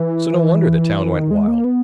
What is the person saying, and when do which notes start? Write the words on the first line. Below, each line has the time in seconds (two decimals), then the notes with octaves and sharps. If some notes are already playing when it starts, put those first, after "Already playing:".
So no wonder the town went wild!
Already playing: E3
1.14 D#3
1.31 G#3
1.48 A#3
1.64 B3